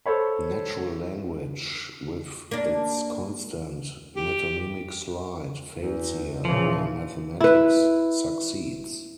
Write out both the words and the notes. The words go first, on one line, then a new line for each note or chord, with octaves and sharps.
Natural language, with its constant "metonymic slide", fails here, where mathematics succeeds.
A4 C5 C#5 B5
A#3 D4
G4
E2
A#2 C#3 E3 F3
E4 B4